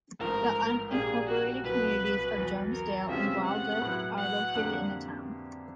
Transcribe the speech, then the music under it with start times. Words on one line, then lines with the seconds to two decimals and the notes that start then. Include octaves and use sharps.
The unincorporated communities of Jonesdale and Waldwick are located in the town.
0.19 A1 G#2 F3 A3 A#4
0.91 A#1 A#2 G3 A#3 D4 G#4
1.27 F#4
1.64 C2 B2 F#3 B3 B4
2.36 E2 B2 F#3
2.72 A#4
3.09 C3 F3 G#3 C#4 F4 E5
3.45 F#5
3.82 A2 F#3 B3 E4
4.18 F#5
4.54 F2 D3 G3 A#3 D4